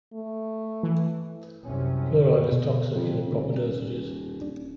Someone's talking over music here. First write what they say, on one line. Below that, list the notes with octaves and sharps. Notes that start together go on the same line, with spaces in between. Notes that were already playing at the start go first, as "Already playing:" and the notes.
Fluoride is toxic in improper dosages.
A3
E3
C2 F#2 C3 C#4
B2
F2
D#1
D4